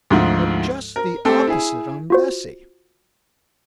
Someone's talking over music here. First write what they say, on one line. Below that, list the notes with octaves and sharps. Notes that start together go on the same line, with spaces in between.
But just the opposite on Vesey.
D2 G#2 F3
A#4
A3 C4 G4 A4
E4 G#4
F4 F#4 C5